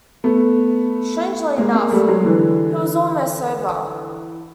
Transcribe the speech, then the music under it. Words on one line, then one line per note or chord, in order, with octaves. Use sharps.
Strangely enough, he was almost sober.
A3 B3
G#3 A#3
G#3 A#3
G3 A3
F#3 G#3
D3 E3